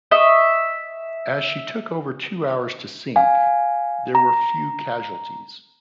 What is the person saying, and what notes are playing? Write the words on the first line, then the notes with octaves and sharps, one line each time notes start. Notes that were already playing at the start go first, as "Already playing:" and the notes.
As she took over two hours to sink, there were few casualties.
D#5 E5 C#6
F5 G#5
A#5